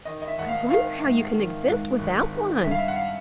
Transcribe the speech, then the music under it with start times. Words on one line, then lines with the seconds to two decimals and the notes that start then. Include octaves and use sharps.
'I wonder how you can exist without one.
0.05 D#3 D#5
0.22 D#5
0.28 E5
0.38 G#1 F#5
0.48 F5
0.70 D#3 F5
1.03 G#2
1.35 D#3
1.67 G#2
1.99 G#1
2.32 D#3
2.64 G2 E5
2.71 F5
2.78 E5
2.88 F#5
2.96 F5